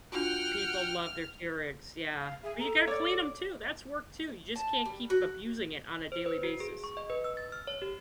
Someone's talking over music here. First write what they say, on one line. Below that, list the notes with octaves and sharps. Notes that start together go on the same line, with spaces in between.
People love their Keurigs, yeah. But you gotta clean 'em too, that's work too. You just can't keep abusing it on a daily basis.
D4 F4 F#4 F#5 G5 F6
F5
G#4 E5
A4 A#5
C#5 D5 D6
A5
G3
F#4
C5
B4
F#4
G#4
C#6
D#5
B4
E6
A6
F6
C#5
G4